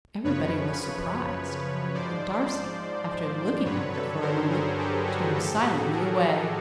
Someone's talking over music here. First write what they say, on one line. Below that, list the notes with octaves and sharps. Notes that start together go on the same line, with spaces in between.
Everybody was surprised, and Darcy, after looking at her for a moment, turned silently away.
F#2 C#3 F3 B4 C#5
G#2 F3 C5 D5
G2 D3 F#3 B4 C#5
A4 B4
A#4 C5
G#4 A#4
G4 A4
F#4 G#4
A2 F3 G4 A4
F#4 G#4
G#4 A#4